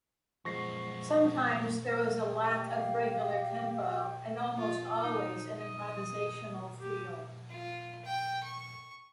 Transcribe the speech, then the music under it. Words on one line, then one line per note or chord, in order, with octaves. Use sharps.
Sometimes there was a lack of regular tempo, and almost always an improvisational feel.
F#2 F3 G#3 B3 C#6 A#6 C7
G4
F5
G5
F4
D#4
D#5
G4
F4
G5
C#6